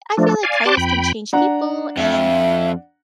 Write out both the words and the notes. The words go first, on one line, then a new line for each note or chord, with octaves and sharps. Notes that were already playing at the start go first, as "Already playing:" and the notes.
I feel like kindness can change people, and
F3 A3 D4
D5 F5 G#5
G4 D5 A5 C6 D6 F#6
F2 G5 B5
D4 F#5 A#5
F2 E5